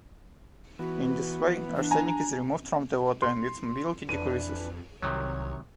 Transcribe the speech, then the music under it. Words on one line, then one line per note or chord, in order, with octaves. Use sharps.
In this way, arsenic is removed from the water and its mobility decreases.
E3 B3 F#4
D4
G#5 A#5
C6
F2 E3 D4 B4 D#7
C2 C3 D#3 F#3 C#5